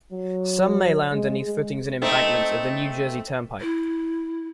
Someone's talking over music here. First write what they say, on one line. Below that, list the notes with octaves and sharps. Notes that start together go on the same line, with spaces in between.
Some may lie underneath footings and embankments of the New Jersey Turnpike.
F#3
G#3
G#3
A3 C4 D#4
E4